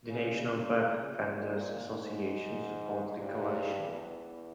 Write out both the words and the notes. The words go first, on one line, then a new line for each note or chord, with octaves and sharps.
The National Bulk Vendors Association supports the Coalition.
C#3
C#3
A#2
G#2
G2
E2